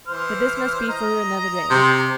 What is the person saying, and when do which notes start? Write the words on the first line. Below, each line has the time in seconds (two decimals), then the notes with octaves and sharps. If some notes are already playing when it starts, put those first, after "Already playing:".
But this must be for another day.
0.07 E3 C5 F6
0.90 D#5 A#5
1.70 C3